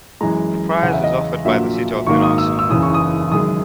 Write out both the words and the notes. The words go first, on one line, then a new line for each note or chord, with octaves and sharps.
The Prize is offered by the city of Minusio.
F#2 E3 G#3 A#5
E2 C#3 E3 F#5
E5
D#5
A#1 A#2 F#3 A#3 E5
G#1 G#2 D#3 F#3 A#3 C#6
D#6
E6
E6
F#1 E2 C#3 E3 D#6
C#6
D#6
F#1 F#2 D#3 G#3 D#6